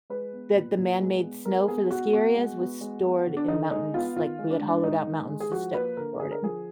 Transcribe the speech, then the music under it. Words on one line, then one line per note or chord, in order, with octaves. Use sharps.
that the man-made snow for the ski areas was stored in mountains. Like, we had hollowed out mountains to st pour it in.
G#3 B4
B3
A#2
A#2
G#3
B3
G#3 A#4
B3 G#4
B2 F#4
B2 F#4
G#3
B3
G#3
B3
D3
D4
D3 D#4
G#3 D#4
B3 F4
D#3 F4
G#3
D4
G#2
D4
G#2 D#4
D#3
G#3
G#4
F3 F#4
A#3 B4
D3 A#4
D3 G#4
A#4
F3 G#4